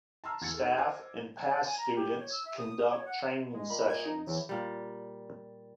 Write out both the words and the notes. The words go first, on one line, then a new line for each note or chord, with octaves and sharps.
Staff and past students conduct training sessions.
A5 A#5 C6 E6 F6
E2 G#6 A6 C#7
D#4 G#4 A4
C5 D#5 D6 G#6
D5
G#5
A#5
G4
C#5
E6
E5
D#6
C#5
F#5
G#3 D#5
A#2 B5
G#6
D#4
E2 E3 C#5
A#2 G3